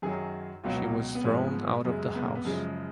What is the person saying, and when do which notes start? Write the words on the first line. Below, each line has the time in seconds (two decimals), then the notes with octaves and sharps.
She was thrown out of the house.
0.02 F#2 D#3 F#3 G#4
0.64 C#2 B2 F#3 F4
0.74 B3
0.84 A#3
1.15 B3
1.24 G#2 F3 G#3 C#4
1.39 B3
1.85 F#2 C#3 G#3
2.15 B3
2.25 A#3
2.35 B3
2.45 F#2 C#3 F3 G#3